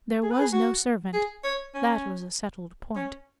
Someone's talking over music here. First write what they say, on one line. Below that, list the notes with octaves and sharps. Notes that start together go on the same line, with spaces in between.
There was no servant--that was a settled point.
G#4
B4
G#4
F#4
G#4
C#5
C#4
C#4